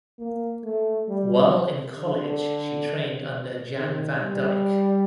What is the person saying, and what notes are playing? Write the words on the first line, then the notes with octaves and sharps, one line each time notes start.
While in college she trained under Jan Van Dyke.
A#3
A3
G3
D3
D#3
G3